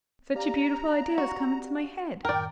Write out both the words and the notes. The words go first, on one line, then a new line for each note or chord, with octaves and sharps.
Such a beautiful idea has come into my head!
G4 D5 F5 A#5
F#4
F#2 A2 D#3 A#4 D5 G5